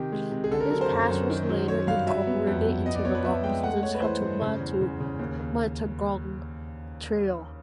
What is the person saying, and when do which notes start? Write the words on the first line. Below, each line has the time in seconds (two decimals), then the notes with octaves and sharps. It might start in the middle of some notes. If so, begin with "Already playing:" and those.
This pass was later incorporated into the long-distance Katoomba to Mittagong Trail.
Already playing: C3 D#3 G4
0.12 G#3
0.32 C3
0.44 G#4
0.51 D3 A4
0.60 A#4
0.71 F#3 A#4
0.81 C5
0.91 F#2
1.09 F#2
1.30 D#3
1.49 F#3
1.68 F#3 C#5
1.87 G2 F5
2.07 F#3 E5
2.27 B3
2.47 F2
2.66 B3
2.85 B3 D#5
2.95 D5
3.05 B3 C#5
3.15 B4
3.25 B3 E5
3.44 G#3 G5
3.63 A3 F#5
3.83 A3 C#5
3.95 B4
4.02 E3 C5
4.22 G2
4.42 C#3
4.60 E2
4.81 C#3
5.00 C#3
5.19 D#2
5.39 D#2